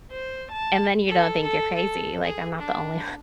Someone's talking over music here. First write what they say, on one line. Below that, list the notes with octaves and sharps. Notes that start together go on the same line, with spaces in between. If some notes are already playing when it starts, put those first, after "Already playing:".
And then you don't think you're crazy, like, I'm not the only, o
C5
A5
A4
A4
A4
G#4
D4